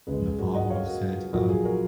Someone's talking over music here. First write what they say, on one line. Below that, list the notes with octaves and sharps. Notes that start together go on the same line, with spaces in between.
And the fog will have set, ugh.
C#2 C#3 G#3 G#4 B4
G#4
F#4 A#4
D#5 F#5
C#5 F5
F#4 A#4
A#1 A#2 F#3 F#4 A#4
G#4
F#4 A#4